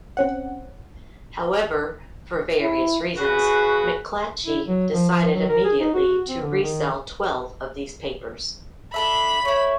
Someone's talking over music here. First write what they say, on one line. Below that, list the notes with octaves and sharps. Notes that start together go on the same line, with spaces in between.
However, for various reasons, McClatchy decided immediately to resell twelve of these papers.
C4 C#4 F#5
E4
C#3 F#4 G#4 B4
E4
F#3
F3
F3
F#3
A#4
G#4
D#4
F#4
C4
D3
D#3
D4 A4 E5 B5
A3 E4 C#5